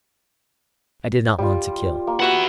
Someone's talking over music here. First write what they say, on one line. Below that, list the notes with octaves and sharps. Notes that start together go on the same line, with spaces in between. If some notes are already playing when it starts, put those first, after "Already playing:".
I did not want to kill.
G3 F4
A#3
E4 F#4 B4 F#5